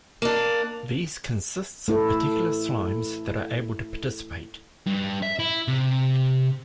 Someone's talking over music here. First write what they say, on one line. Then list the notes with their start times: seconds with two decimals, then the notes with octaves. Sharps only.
These consists of particular Slimes that are able to participate.
0.22 A#3 D4
1.88 A3 E4 A4
4.86 G2
5.22 E5
5.39 E4
5.68 C3